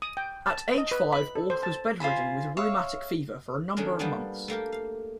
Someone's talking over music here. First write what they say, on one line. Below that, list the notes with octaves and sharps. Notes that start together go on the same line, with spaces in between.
At age five Auth was bedridden with rheumatic fever for a number of months.
D#6
G5
A5
D#5
B4
B5
A4
C5
A5
F4 C5 G#5 B5
C#5 E5 F5
D#3 A3 C#4 D4 G#4 A#4
G3 A#3 B3 D4
A3 A#3 G4 A#4
F5